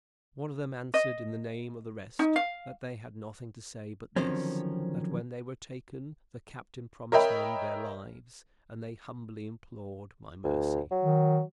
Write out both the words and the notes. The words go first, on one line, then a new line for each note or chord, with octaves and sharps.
One of them answered in the name of the rest, that they had nothing to say but this, that when they were taken the captain promised them their lives, and they humbly implored my mercy.
D#5
D#4
F5
D3 D#3 F3 F#3 C4 C#4
A#4 C#5 D#5 E5 G5 B5
D2
F#3
D#3